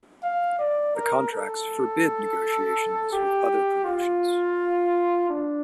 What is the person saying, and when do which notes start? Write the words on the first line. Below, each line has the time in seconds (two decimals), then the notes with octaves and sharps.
The contracts forbid negotiations with other promotions.
0.23 F5
0.59 D5
0.95 A#4
1.32 A4
3.13 G4
3.84 F4
5.29 D4